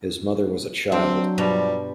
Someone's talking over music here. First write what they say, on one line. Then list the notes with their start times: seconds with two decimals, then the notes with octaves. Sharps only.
His mother was a child.
0.92 F#3 C4 D4
1.38 G2 B2 F3 G3 A#5